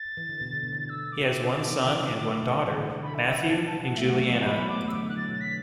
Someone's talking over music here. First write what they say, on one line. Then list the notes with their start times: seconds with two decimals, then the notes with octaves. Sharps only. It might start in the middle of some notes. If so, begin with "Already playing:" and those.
He has one son and one daughter, Matthew and Julianna.
Already playing: A6
0.17 E3
0.29 D3
0.41 B2
0.53 D3
0.63 B2 A6
0.72 D3
0.89 E6
1.12 D6
1.60 B2
1.72 D3
1.84 E3
1.95 F#3
2.08 D3
2.43 B2
2.55 D3
2.67 E3
2.78 D3
2.90 D3
3.03 B5
3.15 E5
3.26 E5
3.38 F#5
3.50 E3 A5
3.66 A5
3.82 F#5
3.98 A3 E5
4.10 F#3 F#5
4.22 E5
4.30 E3 F#5
4.41 A5
4.45 F#3 B5
4.57 F#3 B3
4.69 A3 D6
4.81 F#3
4.88 E6
4.93 D3 D6
5.05 E3 F#6
5.17 F#3 A6
5.28 B2
5.40 D3 B6